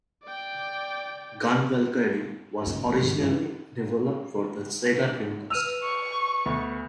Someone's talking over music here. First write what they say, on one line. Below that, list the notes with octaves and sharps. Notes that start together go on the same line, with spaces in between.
"GunValkyrie" was originally developed for the Sega Dreamcast.
D5 G5
F#2 A#2 C#3
A1
G#2 D#3 F#3 G#3
G2 D3 E3 F3
B4 E6 F6 D#7 F7
C#6
D2 B3